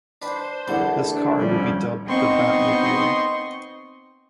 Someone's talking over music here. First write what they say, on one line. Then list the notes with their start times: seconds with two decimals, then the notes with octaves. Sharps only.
This car would be dubbed the "Batmobile".
0.22 D4 B4 C5 G5
0.68 A#1 E2 D3 B3 D5 F#5
1.04 A3 D4
1.37 F2 D3 F3 G3 C#4
2.07 B3 C4 D#4 D#5 C6 C#6